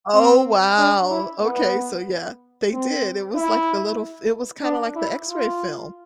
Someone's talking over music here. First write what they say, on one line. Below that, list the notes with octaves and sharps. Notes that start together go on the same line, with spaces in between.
Oh, wow, okay, so, yeah, they did, it was, like, the little f it was kinda, like, the X-ray film.
C4
D4
E4
B3
C4
E4
D4
E4
F4